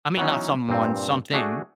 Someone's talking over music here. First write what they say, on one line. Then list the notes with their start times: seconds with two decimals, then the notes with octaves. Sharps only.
I mean not someone, something,
0.17 E3 F#3 B3 C#4 D#4
0.69 G2 A#2 C4
1.33 A3 D4 F#4 G#4